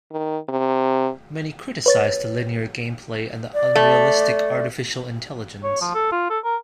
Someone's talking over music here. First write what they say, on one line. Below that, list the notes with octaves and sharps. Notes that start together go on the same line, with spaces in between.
Many criticized the linear gameplay and the unrealistic artificial intelligence.
D#3
C3
B4 C#5 A6
D5
A3
C#5
F3
A4
F4
A4
A#4